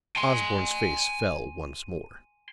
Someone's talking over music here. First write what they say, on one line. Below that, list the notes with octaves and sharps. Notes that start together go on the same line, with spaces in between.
Osborne's face fell once more.
G#5 C6